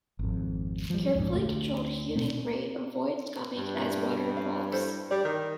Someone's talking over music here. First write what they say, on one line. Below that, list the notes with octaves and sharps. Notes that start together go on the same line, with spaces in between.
Carefully controlled heating rate avoids gumming as water evolves.
G#1 F2
F3 G3
A#1 F2 G#2
D2 A3
B2 A3 C4
G2
A#3 E4
B4 F5
E4 A4 C5
G3 D5
D#3